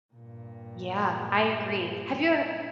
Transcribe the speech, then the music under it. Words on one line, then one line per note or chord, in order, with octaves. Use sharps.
Yeah, I agree. Have you ev
G2 A#2